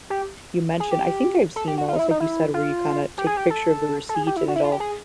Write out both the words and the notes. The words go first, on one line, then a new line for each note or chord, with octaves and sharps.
you mention I think I've seen those, like you said, where you kinda take a picture of the receipt, and it'll
G4
G#4
G4
A4
G4
F#4
F4
D#4
E4
D#4
E4
F4
G4
G#4
G4
A4
A4
G#4
G4
E4
F#4
E4
F4
G4
G#4